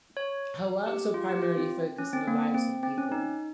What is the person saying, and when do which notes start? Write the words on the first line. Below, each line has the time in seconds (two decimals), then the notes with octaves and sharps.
Her works were primarily focused on the lives of people.
0.17 C#5
0.86 G4
1.14 F4
1.29 G4
1.42 F4
1.57 C4
1.98 C#4
2.13 C4
2.28 A#3
2.54 C4
2.83 C4
2.98 C#4
3.12 D#4